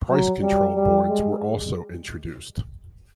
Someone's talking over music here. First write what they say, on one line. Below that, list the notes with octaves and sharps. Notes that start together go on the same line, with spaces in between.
Price control boards were also introduced.
F#3
G3
G3
G#3